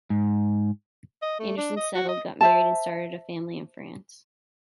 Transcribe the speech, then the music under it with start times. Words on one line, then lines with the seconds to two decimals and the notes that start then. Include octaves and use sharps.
Anderson settled, got married and started a family in France.
0.10 G#2
1.22 D#5
1.39 A3
1.57 D4
1.77 D#5
1.94 F#4
2.08 D#5
2.41 C5 E5 A5